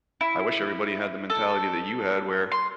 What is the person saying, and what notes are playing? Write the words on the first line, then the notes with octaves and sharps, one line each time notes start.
I wish everybody had the mentality that you had, where
E4
A4
C6